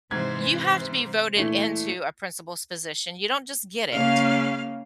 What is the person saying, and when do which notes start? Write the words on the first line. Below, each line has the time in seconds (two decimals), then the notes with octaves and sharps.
You have to be voted into a principal's position, you don't just get it.
0.11 G#2 C3 E3 C5 G#6
1.37 A#2 E3 A3
3.94 C#3 A#3 C#4 F5